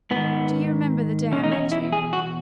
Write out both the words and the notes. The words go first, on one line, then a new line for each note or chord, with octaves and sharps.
Do you remember the day I met you?
G#2 D#3 B3
E2 B2 C#4
D#4
C#4
E4
G#4
F#4